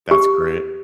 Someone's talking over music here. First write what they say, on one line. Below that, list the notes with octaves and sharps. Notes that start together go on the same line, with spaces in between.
That's great.
G4